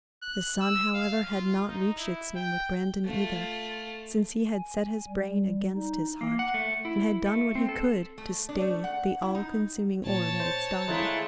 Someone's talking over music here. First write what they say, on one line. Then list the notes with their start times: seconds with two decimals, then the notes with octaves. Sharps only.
The sun, however, had not reached its noon with Brandon, either; since he had set his brain against his heart, and had done what he could to stay the all-consuming orb at its dawning.
0.23 F#6
0.61 E6
0.95 F5
1.31 F4
1.68 D#4
1.99 E4
2.36 G5
3.05 A3 F4
4.51 G#5
5.08 G3
5.75 D#4
6.21 A#3
6.39 F#5
6.54 A3
6.85 E4
7.26 A3
7.55 C4
7.69 A4
8.18 A3
8.49 D4
8.60 A3
8.84 F#5
9.22 E4
9.35 D#4
10.05 A#2 C#5 A5
10.40 C5
10.88 G#3 A3 E4 F5 A#5